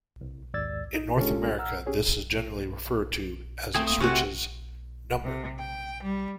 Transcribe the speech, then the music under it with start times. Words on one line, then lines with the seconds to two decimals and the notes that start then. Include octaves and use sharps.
In North America this is generally referred to as a switch's "number".
0.21 C2
0.54 D#2 G#2 D5 E6 G#6 A6
0.94 D#4
1.17 G#3 C#4 D4 F4 G4 A4
1.59 F#5 A#5 E6 F6
1.86 C#4 G4 G#4 C#5
3.75 A3 C4 G#4 G5 D#6
3.87 A#3 D#6
4.00 C3 A3 F#4 F#5 G#5 C#6
5.24 C3
5.59 G5
6.03 G3